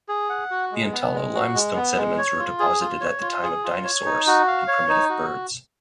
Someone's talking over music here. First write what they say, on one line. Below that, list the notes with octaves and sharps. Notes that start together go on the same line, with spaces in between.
The Antalo Limestone sediments were deposited at the time of dinosaurs and primitive birds.
G#4
F#5
F#4
G#3
B3
G#3
F#4
G#3
B3
G#3
C#5
F4
G#4
F4
C#5
F4
G#4
F4
C#5
D#4
F#4
F5
C#5
D#4
F#4